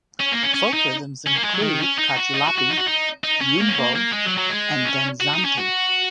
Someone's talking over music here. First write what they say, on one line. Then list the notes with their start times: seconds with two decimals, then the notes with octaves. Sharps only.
Folk rhythms include "cachullapi", "yumbo", and danzante.
0.20 C#4
0.31 A#3
0.43 C#4
0.54 C#4
0.73 D#4
1.26 C#4
1.35 A#3
1.44 G#3
1.54 F#3
1.62 D#3
1.80 C#4
1.98 D#4
2.16 F#4
2.34 D#4
2.46 F#4
2.58 F#4
2.71 D#4
2.78 F#4
2.87 D#4
3.24 D#4
3.41 C#4
3.60 A#3
3.68 C#4
3.78 A#3
3.96 A#3
4.13 G#3
4.26 F#3
4.38 F#3
4.50 G#3
4.85 C#4
5.20 F#4
5.33 D#4
5.45 C#4
5.57 F#4